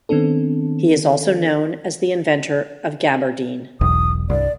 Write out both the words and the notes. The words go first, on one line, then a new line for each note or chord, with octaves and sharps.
He is also known as the inventor of gabardine.
D#3 B3 C4 D4 A4
E1 B1 E2 D#6
C2 G2 D5